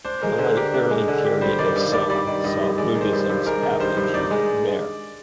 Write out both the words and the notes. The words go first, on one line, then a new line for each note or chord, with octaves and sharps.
The late early period of Silla saw Buddhism's apogee there.
D4 C5
G#3 A#4
D3 C5
G4 A#4
D4
G#3
D3
G4
G3 C5
D#3 D5
G2
G2 D5
G3 D5
D#3
G2 D#5
G2
G#3 D5
D#3
C5
G2
C5
G2
G#3 A#4
D#3
G2 C5
G2
D#4 D5
G#3